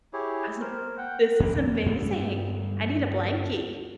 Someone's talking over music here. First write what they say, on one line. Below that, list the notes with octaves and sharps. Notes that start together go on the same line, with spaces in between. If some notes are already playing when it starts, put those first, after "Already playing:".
I was like, mm, "This is amazing. I need a blankie."
E4 G4 G#4 C#5
A#4 C5
F#5 G5
F2 A#3
D2 G2 G3 B3